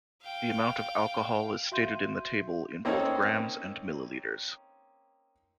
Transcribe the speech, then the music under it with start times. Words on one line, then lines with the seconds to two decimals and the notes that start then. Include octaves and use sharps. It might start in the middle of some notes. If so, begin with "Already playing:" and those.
The amount of alcohol is stated in the table in both grams and millilitres.
0.22 F5 G5
1.72 F#4 E5 F5 C6 G6 D#7
2.85 A#3 C4 C#4 D#4 A4 C#5